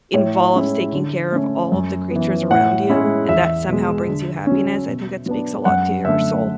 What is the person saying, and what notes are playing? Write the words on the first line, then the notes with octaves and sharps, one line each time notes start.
involves taking care of all of the creatures around you and that somehow brings you happiness, I think that speaks a lot to your soul.
A2 C#5
G#3 C#4 E4
D3
A3 C#4
F#2
E3 B3
A2 F#5
G#3 C#4 E4
E2 E5
B2 G#3
D3
F#3 C#4
B2
F#3 B3 D4
F#2 F#5
D3 A3 E5